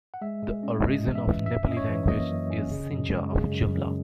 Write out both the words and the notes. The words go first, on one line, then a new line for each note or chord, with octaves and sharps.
The origin of Nepali language is Sinja of Jumla.
F#5
G#3 E5
G#3
C#4
G#2 D#5
E3
E5
E3
F#2 E5
C#4 D#5
C#5
E3
A#3 D#5
F#2
C#4
C#3
F#2
G#3
C#3
F#2
F#2